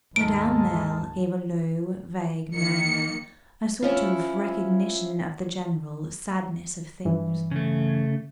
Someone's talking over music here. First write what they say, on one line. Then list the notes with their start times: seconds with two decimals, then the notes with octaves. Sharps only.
Madame Merle gave a low vague murmur; a sort of recognition of the general sadness of things.
0.16 D#2 G#2 G#3 A4 A#4 A5 D7
2.54 D#3 A#3 C#7
3.83 F3 C#4 E4
7.05 G2 E3
7.51 C#3 A3